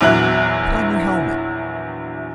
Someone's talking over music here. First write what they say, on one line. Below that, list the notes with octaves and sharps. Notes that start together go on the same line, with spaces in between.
"Put on your helmet!"
A#1 E2 F#3 E4 F#6 F#7